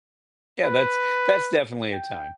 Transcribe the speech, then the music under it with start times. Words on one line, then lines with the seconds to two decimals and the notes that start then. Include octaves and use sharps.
Yeah, that's that's definitely a time.
0.65 B4
1.93 G5